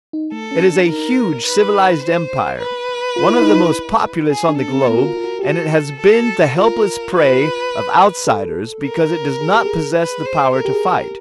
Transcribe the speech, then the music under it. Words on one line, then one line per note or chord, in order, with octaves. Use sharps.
It is a huge civilized empire, one of the most populous on the globe; and it has been the helpless prey of outsiders because it does not possess the power to fight.
D#4
A3 A4
C#4
D4
D#4 A#4
B4
C5
B4
F4
E4
D#4
E4
G#4
D4
A4
C4
B3 A#4
F#4
F4
F4
F#4
G4
F#4 A4
A4
F4 A#4
B4
A4
A#4
G#4
G4
G#4
B4
C5
A4 A#4
G4
G#4
G4